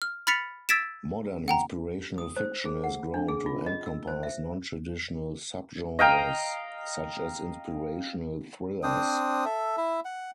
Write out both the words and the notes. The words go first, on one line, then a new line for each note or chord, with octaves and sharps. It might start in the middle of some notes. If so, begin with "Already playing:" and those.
Modern inspirational fiction has grown to encompass non-traditional subgenres, such as inspirational thrillers.
F6
B5 F6 A6 B6 C#7 F7
E6 G#6 A6 B6 D7 E7
F#5 G5 A#5
D#6
C5
G#4
F#5
D4
G#4
F4
D#5
E6
C5
E5
D#5 F5 G5 A#5
C4 D4 C5 D#6
A4 E5
E4 E5
F#5